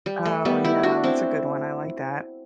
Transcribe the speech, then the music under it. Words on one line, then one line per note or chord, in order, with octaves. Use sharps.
Oh, yeah. That's a good one. I like that.
G3
A3
G3 B3
E4 G4
D4 F#4
C4 E4